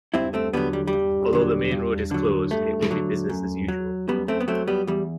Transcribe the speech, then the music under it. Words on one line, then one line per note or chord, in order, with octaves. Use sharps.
Although the main road is closed, it will be business as usual.
G2 C4 E4
A3 C4
D3 F#3 G3 B3
G3
G3
G2
D3 F#3
G2
D3 F#3
G2 A3
D3 F#3
F#2
F#3
F#2 G3 B3
A3 C4
B3
F#3 A3 C4
G3 B3
E2 G3